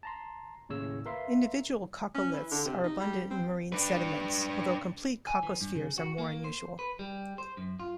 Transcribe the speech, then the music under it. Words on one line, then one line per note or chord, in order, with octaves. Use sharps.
Individual coccoliths are abundant in marine sediments although complete coccospheres are more unusual.
A5 A#5 C6
D#2 A2 C#3 C#5 E6
A#4 B4 E5 F5 C6
C#4
E3
D3
C3
D#4
G3
C4
D4 B4
G#5
E3
G2
C#3
F#4
A#3
C5
B4
G3
C5
F#2
F4